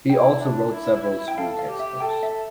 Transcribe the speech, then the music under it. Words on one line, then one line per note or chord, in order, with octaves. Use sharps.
He also wrote several school textbooks.
E4 G5
D4
E4
G5
A4 F5
F5
G4
E5
A4 G5
E5